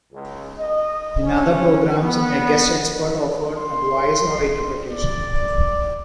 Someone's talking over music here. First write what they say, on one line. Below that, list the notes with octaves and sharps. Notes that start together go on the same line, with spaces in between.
In other programs, a guest expert offered advice or interpretation.
C#2
D#5
C#4
B3
C6
D5